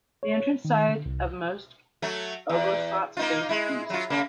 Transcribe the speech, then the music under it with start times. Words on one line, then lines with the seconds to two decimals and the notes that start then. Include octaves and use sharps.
The entrance side of most ubosots face east.
0.23 C#5
0.65 D#3
0.88 D3
1.06 C2
2.02 F#3 A3
2.49 E2
3.17 A#3 D#4 F4
3.49 G#3 E4
3.90 F#3 F4
4.10 C#3 A#3